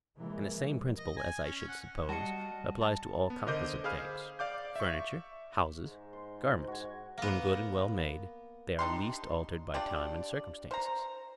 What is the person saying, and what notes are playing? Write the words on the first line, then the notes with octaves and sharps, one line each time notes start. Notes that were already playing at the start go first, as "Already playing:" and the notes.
And the same principle, as I should suppose, applies to all composite things--furniture, houses, garments: when good and well made, they are least altered by time and circumstances.
C3 E3 F3 G#3 A#3
D#5
G#5
C#4
F#5
G3 F#4 D#5 F5 A5 C#7
A5
B3
D3 A#4 C5 D#5 D6 G6
G#4 C5 F5 B5 F6
D5 F5 D6 G6
E5 C#6
G#2
C6
F#4 G#5
A#3 B3
D4 D#4 G4 C6
D4 F4 G4 D5
C5 A#5